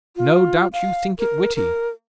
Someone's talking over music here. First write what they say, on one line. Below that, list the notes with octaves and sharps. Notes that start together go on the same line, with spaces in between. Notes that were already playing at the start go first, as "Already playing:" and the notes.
No doubt you think it witty!
F4
F5
A#4
A#4